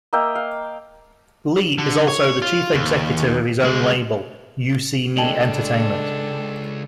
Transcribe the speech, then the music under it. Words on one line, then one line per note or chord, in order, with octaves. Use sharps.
Lee is also the chief executive of his own label, U C Me Entertainment.
A#3 D#5 E5 G5
F5
D3
C#5
F4
D#2
C#2 G#3
C#2 G#3 D4 A4 D#5 G5 A5